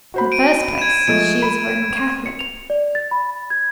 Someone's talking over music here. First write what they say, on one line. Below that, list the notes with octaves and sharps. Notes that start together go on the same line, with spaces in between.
'In the first place, she is a Roman Catholic.
F#4 C5 B5
D7 D#7
G#6 E7
F3 G#3 A3 D7
B5
C#7
F7
D5
A6
B5
G#6